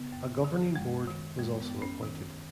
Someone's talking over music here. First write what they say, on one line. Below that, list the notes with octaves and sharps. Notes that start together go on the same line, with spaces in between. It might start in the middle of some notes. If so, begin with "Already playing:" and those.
A Governing Board was also appointed.
Already playing: C#3 B3
F#2
D#3
F#2 G#3
D#3
F#2 G#3
B3
F#2
C#4
D#3
D#3